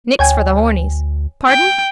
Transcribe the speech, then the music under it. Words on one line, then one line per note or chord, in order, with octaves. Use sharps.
Nix for the hornies. Pardon?
D2 C#5 G5 G#5
G5